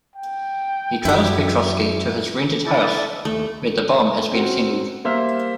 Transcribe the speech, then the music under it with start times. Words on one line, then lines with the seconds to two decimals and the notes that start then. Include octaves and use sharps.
He trails Petrofsky to his rented house, where the bomb has been assembled.
0.16 G5
1.05 F#2 E4 G4
2.66 E4 A4 D5
3.25 D#2 A3
4.32 C4 C#4 F#4
5.04 G3 A#3 C5 E5 F6